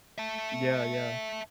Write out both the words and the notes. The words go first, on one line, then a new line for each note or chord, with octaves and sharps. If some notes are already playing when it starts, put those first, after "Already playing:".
Yeah, yeah.
E5 A5